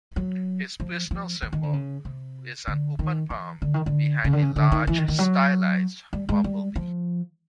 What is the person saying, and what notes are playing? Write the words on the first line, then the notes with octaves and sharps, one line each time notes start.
His personal symbol is an open palm behind a large, stylized bumblebee.
F#3
F3
F3
E3
D#3
D3
C#3
C3
D3
D#3
E3
D3
D#3
D3
C#3
D3
C#3
D3
D#3
E3
D#3
D#3
F#3
G3
G#3
G3
F3